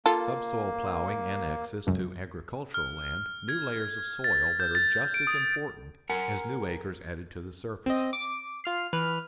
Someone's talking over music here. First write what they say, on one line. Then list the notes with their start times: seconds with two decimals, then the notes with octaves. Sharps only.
Subsoil ploughing annexes to agricultural land new layers of soil that are just as important as new acres added to the surface.
0.06 A#3 F4 A4
1.87 C#2 F#2
2.74 F6
3.49 G#6
4.24 A6
4.60 G6
4.75 A6
5.14 D7
5.27 D#6
6.10 A#4 F#5 G#5
7.86 C4 D#5
8.13 D6
8.64 F4 F6 C7
8.93 E3 B4 F6